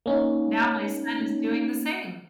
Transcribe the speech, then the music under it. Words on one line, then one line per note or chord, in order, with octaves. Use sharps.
now my son is doing the same,
A#3 C#4 D#4